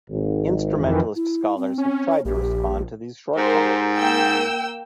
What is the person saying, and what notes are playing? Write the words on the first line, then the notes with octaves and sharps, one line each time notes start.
Instrumentalist scholars have tried to respond to these shortcomings.
G#1
F2 D#3 E3
E4
C4
C#4
C#5
A#1 G4
G#2 G4 A#4 C5
A#3 G5 E6